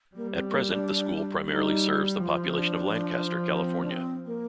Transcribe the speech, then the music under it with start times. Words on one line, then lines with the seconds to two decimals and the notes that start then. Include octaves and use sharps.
At present, the school primarily serves the population of Lancaster, California.
0.15 G3 A#3
0.33 C4
0.50 A#3
0.67 D4
1.47 D4
1.52 G3 D#4
2.20 F3 F4
2.44 C4
2.55 D4
2.89 F3
3.49 D4
3.57 C4
3.83 D4
3.91 C4
4.25 A#3